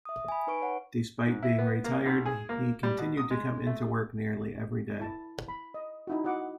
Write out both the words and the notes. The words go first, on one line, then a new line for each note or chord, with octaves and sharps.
Despite being retired, he continued to come into work nearly every day.
E5 D#6
G#5 B5
D#4 B4 C#6 D7
C#5 F#5
G#2
E4
B3
A#3
B1
G#4
A#3
G3
B2
D#6
G#3
A3
E4 A5
B5
D#5
D#4 E4 F#4
F#4 D#5 F#5 D6